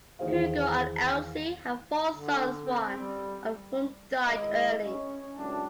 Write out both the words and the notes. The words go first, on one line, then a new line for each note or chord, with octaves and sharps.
Hugo and Else had four sons, one of whom died early.
E2 D#3 G#4 C5 F5
D3
C4
G3
G#1 C#2 G#3 E4 D#5
C#4
C#2 A2 F#3 D4